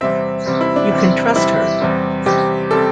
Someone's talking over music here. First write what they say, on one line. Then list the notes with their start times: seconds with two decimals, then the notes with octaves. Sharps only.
You can trust her.
0.01 E2 C3 G3 C4 E5
0.46 E2 C3 G3 C4
0.61 E4
0.76 D4
0.91 E2 C3 G3 C4
1.36 E2 C3 G3 C4 E4
1.81 E2 C3 G3 C4
2.26 E2 C3 G3 C4 G4
2.71 C3 G3 C4 A4